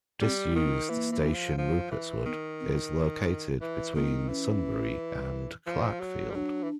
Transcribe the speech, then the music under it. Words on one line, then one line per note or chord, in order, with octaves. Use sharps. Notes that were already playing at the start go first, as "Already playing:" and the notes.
Disused station Rupertswood is located between Sunbury and Clarkefield.
G3 C4
C4
D#3 B3
E3 A#3
E3
F3
F3
E3
D#3 B3
C4
E3
D#3 A#3
B3
C4
E3 C#4
F3
F#3
G3
F#3 D4
E3